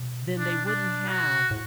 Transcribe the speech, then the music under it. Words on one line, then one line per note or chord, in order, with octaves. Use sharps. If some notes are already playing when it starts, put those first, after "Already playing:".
then they wouldn't have
Already playing: B2
D4
D4
F#4
A2